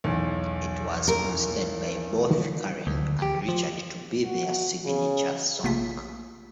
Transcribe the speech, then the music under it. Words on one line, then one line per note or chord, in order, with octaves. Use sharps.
It was considered by both Karen and Richard to be their signature song.
B1 E2
A#4
D2
G4
F3
F#4
C#3
A#1 C3 A3 A#3 F4 B6